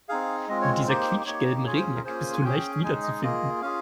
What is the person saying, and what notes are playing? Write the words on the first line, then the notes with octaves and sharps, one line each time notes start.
Mit dieser quietschgelben Regenjacke bist du leicht wiederzufinden.
C4 D#4 G#4 F5
G#3 C4 F4 D#5
C#5
A#3 D#4 G4 C5
A#3 D#4 G4 C#5
C#4 F4 G#4 C#5
C5
A#4
A#3 C#4 F4 G#4 C5
G#5
C#4 G#4 G5
G#3 D#4 G#4 G#5
D#5
A#3 F4 G#4 D#5
C#4 F4 G#4 F5